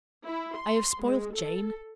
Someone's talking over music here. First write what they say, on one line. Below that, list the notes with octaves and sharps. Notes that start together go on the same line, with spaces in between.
I have spoiled Jane.
E4
C6
G#3
A4